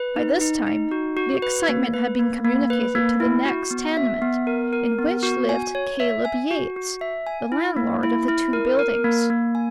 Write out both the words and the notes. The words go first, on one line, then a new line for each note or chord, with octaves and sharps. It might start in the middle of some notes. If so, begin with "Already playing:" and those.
By this time the excitement had been communicated to the next tenement in which lived Caleb Yates, the landlord of the two buildings.
Already playing: B4
D#4
D#4
D#4
F#4
F#4
B4
A#3
B4
A#3
A#3
B4
A#3
E4
F#4
B3
E5
B3
A#4
A#4
B3
F#4
G#5
C#5
E5
G#5
F#4
F#4
E5
G#5
E4
A#3
E4
E4
A#4
A#4
A#3
A#3
G#5